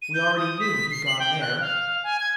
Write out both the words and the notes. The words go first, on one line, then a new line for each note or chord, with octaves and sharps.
"We already knew he'd gone there."
D#7
G6
D#6
B6
C7
F#7
G5
F#6
F5
G#5
G#6